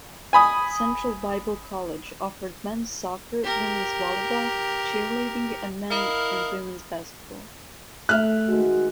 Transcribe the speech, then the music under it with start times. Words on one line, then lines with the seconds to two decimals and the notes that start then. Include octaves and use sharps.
Central Bible College offered men's soccer, women's volleyball, cheerleading, and men and women's basketball.
0.33 G#5 B5 D#6
3.44 G4 A#4
5.91 E4 A#4 D#5 F5
8.09 A3 E5 F6 F#6
8.48 D#3 G#3 F#4